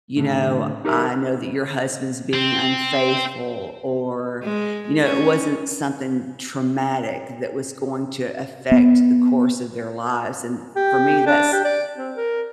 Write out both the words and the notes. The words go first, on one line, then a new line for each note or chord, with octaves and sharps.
you know, I know that your husband's being unfaithful or, you know, it wasn't something traumatic that was going to affect the course of their lives, and for me, that's
A2 D3
D#4 G4 A#4 C5 E5
C4
G#3
C#4
B3
G4
D4
G4
D5
C4
A#4